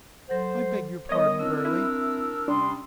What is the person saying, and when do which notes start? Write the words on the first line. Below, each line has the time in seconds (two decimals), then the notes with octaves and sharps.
"I beg your pardon, Burly!"
0.29 F#3 A4 C5 F#5
1.09 G3 B3 A#4 C#5 D#5 D#6
1.39 C4 D4 E4 A#4 E6
1.65 C4 E4
2.48 C3 G3 C#4 D4 G5 C6 D#6